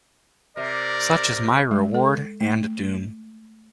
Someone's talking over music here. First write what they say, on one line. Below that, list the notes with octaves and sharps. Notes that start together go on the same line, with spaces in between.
Such is my reward and doom.
C3 A#4 D5
G#3
A4
A3